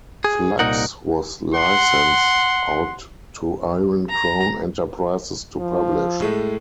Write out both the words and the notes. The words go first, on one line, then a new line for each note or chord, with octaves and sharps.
Fluxx was licensed out to Iron Crown Enterprises to publish.
G#4
C2 A#2 D#4 A#4 F#5
F#5 C6
A#5
F3
A2 G#3 A3